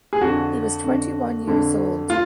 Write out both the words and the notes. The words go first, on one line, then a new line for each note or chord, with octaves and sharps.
He was twenty-one years old.
G#4
F2 D3 F#4
F2 D3
F2 D3
F4